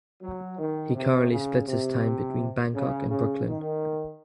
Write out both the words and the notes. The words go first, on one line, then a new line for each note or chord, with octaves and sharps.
He currently splits his time between Bangkok and Brooklyn.
F#3
D#3
C3
C#3
C3
C#3
C#3
D#3